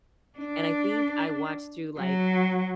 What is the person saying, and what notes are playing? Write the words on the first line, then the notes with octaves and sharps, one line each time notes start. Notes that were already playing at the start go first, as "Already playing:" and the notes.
and I think I watched through, like,
D4
F#3